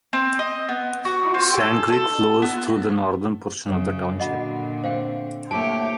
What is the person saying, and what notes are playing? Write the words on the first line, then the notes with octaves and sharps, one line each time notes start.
Sand Creek flows through the northern portion of the township.
C4
D#5
B3
F#4
C4
A4
A4
B3
F#2 C#3
A#2 D3 F#4 D#5 F#5 B5
A3 C4 C5 F5 G5
A3 A#3 E4 G4 A#4 C5 C#5 A5